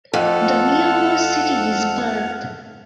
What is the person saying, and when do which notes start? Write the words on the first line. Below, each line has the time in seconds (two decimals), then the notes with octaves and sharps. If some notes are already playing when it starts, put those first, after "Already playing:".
The nearest city is Perth.
0.14 F2 A4 F#5 F6